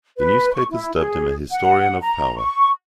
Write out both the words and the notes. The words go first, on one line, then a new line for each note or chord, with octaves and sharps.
The newspapers dubbed him a historian of power.
B4
C#6
E4
G#4
F#5
A#5
C#6